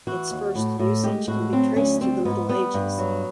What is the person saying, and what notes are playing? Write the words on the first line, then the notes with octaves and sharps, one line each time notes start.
Its first usage can be traced to the Middle Ages.
E3 F#4
D#2
A2
A2
G#3 G4
A2 F#4
F#3 C4
D2 C#4
G3 C4
G#2 B3
G3 B3
G2
F#3